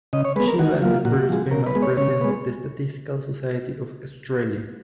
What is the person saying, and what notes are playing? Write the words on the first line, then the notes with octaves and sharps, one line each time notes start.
She was the first female president of the Statistical Society of Australia.
C#3 D#5
C#5
G#3 B3 B4
A#4
D#3 F#4
F#3 A#3 F4
A#2 F#4
F3 G#3
C#3 A#4
B4
G#3 B3
C#5
C#3 C#5
G#3 B3